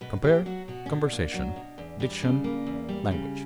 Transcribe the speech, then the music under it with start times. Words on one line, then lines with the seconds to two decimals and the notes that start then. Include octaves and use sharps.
Compare CONVERSATION; DICTION; LANGUAGE.
0.01 B2 B4
0.23 A#3 G4
0.46 F#3 F#4
0.68 B2 F#4
0.86 C#4
0.90 B2 D4
1.12 A#3
1.34 F#3
1.56 B2
1.78 E2
2.00 G3
2.22 C#3
2.44 A#3
2.67 E2
2.89 G3
3.11 C#3